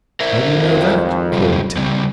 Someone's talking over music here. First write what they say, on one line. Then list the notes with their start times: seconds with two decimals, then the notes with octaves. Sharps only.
"How do you know that?" queried Tad.
0.20 A#4 C5 E5
0.54 G#1 F2
1.33 F#2 C3 G3
1.77 C#3 G3 C4